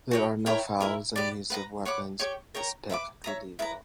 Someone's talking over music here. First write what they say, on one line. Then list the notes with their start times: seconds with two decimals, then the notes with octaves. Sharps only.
There are no fouls and use of weapons is perfectly legal.
0.11 F#4 C#5 G5
0.46 E4 A#4 C#5 G5
0.80 E4 A#4 E5
1.16 G4 B4 D5
1.50 B4 F#5 A#5
1.85 C#5 F#5 B5 D6
2.19 G4 C#5 G5 C#6
2.54 A#4 C#5 G5 A#5
2.90 B4 E5 B5 D6
3.24 C#5 E5 A#5
3.59 E4 B4 E5 A#5